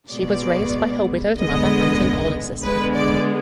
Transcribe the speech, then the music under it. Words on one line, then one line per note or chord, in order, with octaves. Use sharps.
She was raised by her widowed mother and an older sister.
B2 G#3 B3 D5
D3 G#3 B3 D#5
D3 G#3 B3 B4
D5